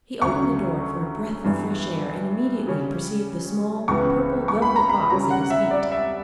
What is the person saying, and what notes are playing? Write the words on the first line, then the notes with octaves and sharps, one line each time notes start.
He opened the door for a breath of fresh air, and immediately perceived the small, purple velvet box at his feet.
D2 C#3 F#3 C#6
G2 E3 B3
C#3 G3 C#4
C#2 C#3 E3 B3 C#6
C#6
B5
A#5
B5
C#3 G3 C#4 A#5
F#5
E5
D5
E5